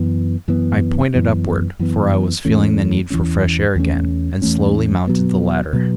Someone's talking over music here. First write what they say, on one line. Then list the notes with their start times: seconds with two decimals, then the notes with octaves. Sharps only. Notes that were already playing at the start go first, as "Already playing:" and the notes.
I pointed upward, for I was feeling the need for fresh air again, and slowly mounted the ladder.
Already playing: F#2 E3 B3
0.48 F#2 E3 B3
1.14 F#2 E3 B3
1.79 F#2 E3 B3
2.45 E2 E3 A3 C#4
3.10 E2 E3 A3 C#4
3.76 E2 E3 A3 C#4
4.42 E2 E3 A3 C#4
5.07 B2 F#3 B3
5.73 B2 F#3 B3